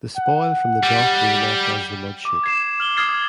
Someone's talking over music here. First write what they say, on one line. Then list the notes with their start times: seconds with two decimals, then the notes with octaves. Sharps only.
The spoil from the dock was left as the Mudchute.
0.17 F#5
0.83 G3
2.25 D6
2.44 G#6 C7 E7
2.80 F6 F#7 G7
2.97 D#6 F6 G#6 A6 C7
3.09 G#6